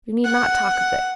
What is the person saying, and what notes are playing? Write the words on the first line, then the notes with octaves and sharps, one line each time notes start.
You need not talk of this.
F#5